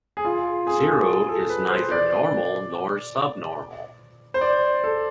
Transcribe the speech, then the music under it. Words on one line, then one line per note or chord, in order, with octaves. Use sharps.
Zero is neither normal nor subnormal.
G#4
F4
G#4
A4
G#4
A4
A4
B4
C5
D5
C5
D5
A4